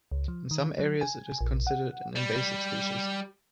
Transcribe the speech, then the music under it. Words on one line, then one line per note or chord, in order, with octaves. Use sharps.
In some areas it is considered an invasive species.
C#2
F3
D#3
F#3
G#5
A#1
F#5
G3